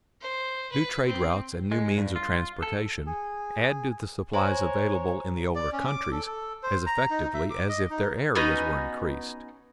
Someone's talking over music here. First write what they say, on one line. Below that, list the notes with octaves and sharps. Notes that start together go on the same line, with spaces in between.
New trade routes and new means of transportation add to the supplies available in the older countries as effectively as if their areas were increased.
C5
B4
C4
G#3
G2
F4
A4
G#4
C5 C#5 G#5 A#5
D5
C#4
D6
A4
A4
C5
A#5
D#4
E5
D6
D#5
D#4
B3 C#4 D#4 F#4